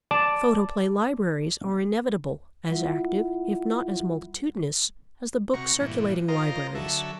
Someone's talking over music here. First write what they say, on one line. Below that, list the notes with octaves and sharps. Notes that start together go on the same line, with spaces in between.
Photoplay libraries are inevitable, as active if not as multitudinous as the book-circulating libraries.
D5 A5
G3 E4 F4 E5 F#5 B5
C3 F#4 A#5 C#6
G2 A#2 E3
F4 A#4 C5 D#5 A#5
D3 F#3 A4 E5